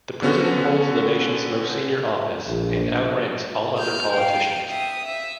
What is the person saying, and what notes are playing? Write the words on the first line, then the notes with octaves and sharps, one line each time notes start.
The president holds the nation's most senior office, and outranks all other politicians.
D3 B3 C#4 F#4
A#1
F6 G6
F5 G5
E5 D#6
E5